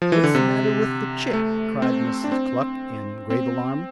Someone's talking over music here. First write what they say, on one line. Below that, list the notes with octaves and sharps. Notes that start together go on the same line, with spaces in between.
What's the matter with the chick?' cried Mrs. Cluck, in great alarm.
F3
E3
D3
C3
A3
C4
D4
C4
C4